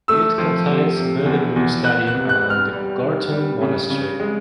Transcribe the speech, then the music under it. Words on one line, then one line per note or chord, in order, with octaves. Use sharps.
It contains Belle Vue Stadium and Gorton Monastery.
A3 E6
F3
C3
C3
E2
E2
B3 F#6
F#6
C3
F#6
G3
F6
G3
D#3
G3
C#3
C#3
G#3